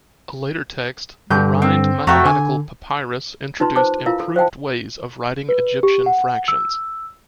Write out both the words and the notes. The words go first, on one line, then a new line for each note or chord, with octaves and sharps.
A later text, the Rhind Mathematical Papyrus, introduced improved ways of writing Egyptian fractions.
G2 D3 G6
C4
F2 A3 F#4 G5 A#5
D3 G#5
D#4 F4 B4 A5 C6
B4 C5 A5 D6
E4 F4 A#4 F5
A4
C5 F5 G5 A5
B4
G4
F#5
E6